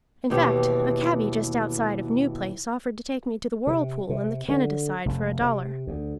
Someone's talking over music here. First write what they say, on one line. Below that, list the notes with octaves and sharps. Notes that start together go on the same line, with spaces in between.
In fact, a "cabby" just outside of New Place offered to take me to the Whirlpool and the Canada side for a dollar.
D#2 B2 E3 G4
C3
C3
D3
F1
C3
D2